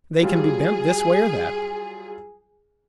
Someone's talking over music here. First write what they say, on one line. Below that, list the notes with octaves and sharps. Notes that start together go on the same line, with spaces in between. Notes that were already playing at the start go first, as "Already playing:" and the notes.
They can be bent this way or that.
F#3 G3 F4 G#4